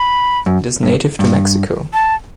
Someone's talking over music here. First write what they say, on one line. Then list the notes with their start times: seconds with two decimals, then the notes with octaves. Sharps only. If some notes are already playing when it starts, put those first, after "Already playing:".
It is native to Mexico.
Already playing: B5
0.46 F#2
0.83 G2
1.19 G2
1.93 A5